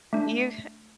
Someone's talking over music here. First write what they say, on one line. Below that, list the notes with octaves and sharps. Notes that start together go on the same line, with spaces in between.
you c
A3 D4